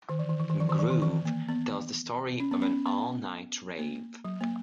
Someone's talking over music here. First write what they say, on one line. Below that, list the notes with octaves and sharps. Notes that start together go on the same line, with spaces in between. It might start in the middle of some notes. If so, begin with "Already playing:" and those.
"Groove" tells the story of an all-night rave.
D#3
E3
D#3
E3
D#3
E3
D#3
E3
D#3
E3
A#3
B3
C#4
B3
C#4
B3
A#3
F#3
A#3